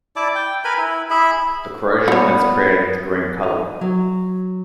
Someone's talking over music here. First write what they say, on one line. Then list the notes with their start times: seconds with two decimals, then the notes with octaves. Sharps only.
The corrosion has created the green color.
0.16 E4 D5 A5 D6
0.35 G5
0.64 A#4 B4 G#5 B5
0.78 E4
1.10 E4 G#4 E5 B5
2.08 G3 B3 F#4 C#5
3.43 D#4
3.81 F#3